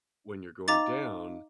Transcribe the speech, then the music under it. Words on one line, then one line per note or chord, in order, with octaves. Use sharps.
When you're going down,
D#4 D#5 F5 A#5 D6 A6